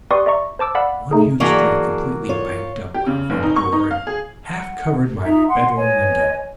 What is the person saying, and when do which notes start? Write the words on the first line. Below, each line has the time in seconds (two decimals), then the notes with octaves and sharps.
One huge drift completely banked up our front door and half covered my bedroom window.
0.11 G4 B4 D5 C6 C#6 D#6
0.26 D5 E5 A#5 C#6
0.59 C5 A5 D6 E6
0.75 D5 F5 F#5 B5 E6
1.11 A3 D#4 G#4
1.40 E3 F#3 A#3 D4 G#4
2.29 F4 C#5
2.94 G4
3.07 C#3
3.30 F1
3.43 D#4
3.56 C#6
3.72 D#4
3.91 F5
4.07 G#4
4.47 F#5
5.23 D#4 F4 E5 A#5
5.49 F#5 C6
5.77 B4 C#5 D#5 G#5